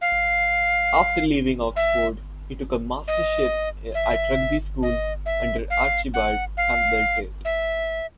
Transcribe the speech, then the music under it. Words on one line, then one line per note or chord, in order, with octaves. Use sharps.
After leaving Oxford he took a mastership at Rugby School under Archibald Campbell Tait.
F5
E5
D#5
E5
D#5
E5
F5
F#5
F5
E5